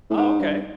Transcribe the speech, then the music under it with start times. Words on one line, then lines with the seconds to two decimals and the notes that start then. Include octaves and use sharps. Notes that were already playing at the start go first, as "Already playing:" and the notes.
Oh, okay.
0.10 A2
0.16 G#2
0.40 G2